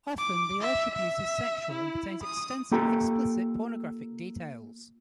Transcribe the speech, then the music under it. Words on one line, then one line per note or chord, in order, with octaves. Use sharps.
Often, the alleged abuse is sexual and contains extensive, explicit, pornographic details.
D6
E5
E5
E4
D#6
A#3 F4 G4 A4 G5 A#5